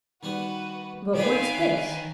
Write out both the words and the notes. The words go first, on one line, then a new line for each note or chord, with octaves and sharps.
"But what's this?"
D#3 G3 B3 F#4 B4
D#3 E4 G4 B4 C#5 F5 G#5 D7